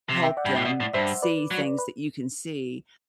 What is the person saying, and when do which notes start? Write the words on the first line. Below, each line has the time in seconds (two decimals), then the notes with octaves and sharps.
help them see things that you can see.
0.09 C3
0.23 E5 G5
0.37 D5 F#5
0.45 G2
0.56 A2
0.65 B2
0.80 A2
0.93 G2 C5 E5
1.22 B4 D5
1.51 F#3
1.79 B4